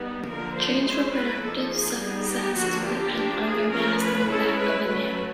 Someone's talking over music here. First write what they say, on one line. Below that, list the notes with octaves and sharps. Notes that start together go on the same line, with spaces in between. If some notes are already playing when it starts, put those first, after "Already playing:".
Gynes' reproductive success is more dependent on their mass than that of a male.
Already playing: G3 B3 D#4
D3 F3 A#3 A#4
C5
G#3 C#4 E4 C5
B4
F3 A#3 D#4 A4
G#4
G3 B3 D#4 G#4
G4
D3 F3 A#3 F#4
G4
F3 A#3 D4
G#4
F3 A3 C#4 A#4
B4
G#3 C#4 E4 A4
B4
F#3 A3 C#4 B4